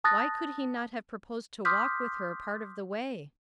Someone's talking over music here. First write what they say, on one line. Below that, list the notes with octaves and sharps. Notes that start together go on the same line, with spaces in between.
Why could he not have proposed to walk with her part of the way?
A5 D#6 F#6 A6 A#6
C6 D6 D#6 F6 G6 B6